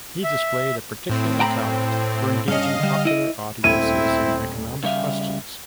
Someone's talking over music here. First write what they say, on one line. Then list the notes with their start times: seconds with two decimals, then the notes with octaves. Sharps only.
He displayed a particular talent for engaging popular audiences in economic questions.
0.24 E5
1.09 A2 C4
1.40 G5 A#5 B5
2.48 G2 C#4 D#5 F5
2.80 D3 G3
3.05 E4 D#5
3.64 D#1 D2 C4 E4 G#6 D#7
4.83 C#3 G3 E5 F5